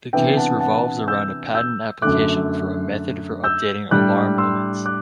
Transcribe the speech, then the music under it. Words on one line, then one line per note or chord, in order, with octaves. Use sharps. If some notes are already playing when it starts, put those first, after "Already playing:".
The case revolves around a patent application for a "Method for Updating Alarm Limits".
C3 E3 B3 D4 E5 G5
F#5 A5
F#5 A5
E6 G6
E6 G6
F#2 D3 A3 D6 F#6
E6 G6
A2 G3 D4 D6 F#6
C6 E6
D6 F#6